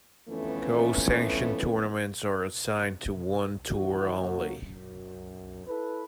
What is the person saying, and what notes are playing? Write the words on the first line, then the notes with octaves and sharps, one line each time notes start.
Co-sanctioned tournaments are assigned to one tour only.
F2 D3 E3 A3 B3 C#4
D#3 E3 F#4
C#3 F#3 A#3 F#4
F#2
E4 A4 B4